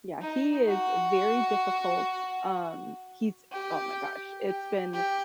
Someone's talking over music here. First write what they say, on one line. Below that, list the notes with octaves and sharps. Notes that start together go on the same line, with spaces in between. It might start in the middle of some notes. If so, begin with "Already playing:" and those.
Yeah, he is very difficult, um, he's oh my gosh, it's been
D#4
F#4
G4
G4
G4